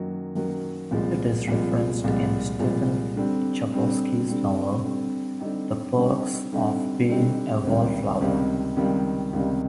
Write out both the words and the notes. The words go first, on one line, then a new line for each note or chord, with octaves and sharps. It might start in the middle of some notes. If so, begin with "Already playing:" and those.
It is referenced in Stephen Chbosky's novel "The Perks of Being a Wallflower".
Already playing: F#2 D#3 F#3 A#3
F#2 D#3 F#3 A#3
C2 A#2 F3 G#3
C2 A#2 F3 G#3
C2 A#2 F3 G#3
C2 A#2 F3 G#3
D3 G3 C4
D3 G3 C4
D3 G3 C4
D3 G3 C4
D3 G3 C4 D#4 G4
D3 G3 C4 D#4 G4
D3 G3 C4 D#4 G4
D3 G3 C4 D#4 G4
C#2 C3 D#3 G3
C#2 C3 D#3 G3
C#2 C3 D#3 G3
C#2 C3 D#3 G3